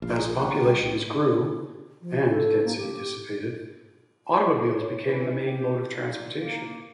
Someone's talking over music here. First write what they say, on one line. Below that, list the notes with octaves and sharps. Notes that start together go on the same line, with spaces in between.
As populations grew and density dissipated automobiles became the main mode of transportation.
A#1 F5
G#4 A#5
G4 F#5 G5
C2 G4
F3
A4
A#3
G4
C#5
E3
G4
A#2
A#3